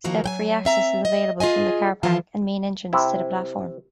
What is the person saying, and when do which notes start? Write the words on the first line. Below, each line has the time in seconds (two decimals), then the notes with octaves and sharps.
Step-free access is available from the car park and main entrance to the platform.
0.04 D#3 F3 A#3 F#4 A#4
0.24 F#3 G5 G#5
0.65 C4 E5 A#5
1.05 D#5
1.40 F4 G#4 D#5 G#5
2.03 D3 E3 F3 F4 A5
2.93 C3 E4